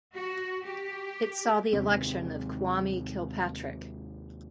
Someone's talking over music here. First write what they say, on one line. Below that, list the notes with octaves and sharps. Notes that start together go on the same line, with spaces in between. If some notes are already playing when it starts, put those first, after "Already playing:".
It saw the election of Kwame Kilpatrick.
F#4
G4
D#2 C3 G#3 C4